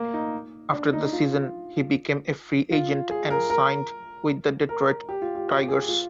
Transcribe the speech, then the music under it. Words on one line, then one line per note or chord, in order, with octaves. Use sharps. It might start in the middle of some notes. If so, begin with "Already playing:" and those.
After the season, he became a free agent and signed with the Detroit Tigers.
Already playing: A#3
D#4
D4
D#4
F4
F4
G#4
A#4
A#4
A#4
G4
F4
G4
G4
G#4
F4